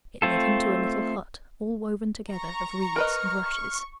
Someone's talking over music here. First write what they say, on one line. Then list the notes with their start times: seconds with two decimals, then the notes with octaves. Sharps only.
It led him to a little hut all woven together of reeds and rushes.
0.22 A3 C4 F4 A4
2.33 A#5 C#6
2.96 A#4 B4 D#5 F6
3.44 C#6